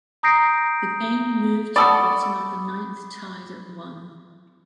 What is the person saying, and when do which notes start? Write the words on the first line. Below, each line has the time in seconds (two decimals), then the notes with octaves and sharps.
The game moved to the bottom of the ninth tied at one.
0.23 A#5 D#6 G6 A#6 C7 D7
1.76 F#4 A4 D5 B5 D6 D#6